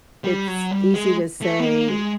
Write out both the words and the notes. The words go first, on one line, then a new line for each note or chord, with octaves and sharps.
it's easy to say,
G3
F#3
G3
G#3
A3
B3
A#3
G#3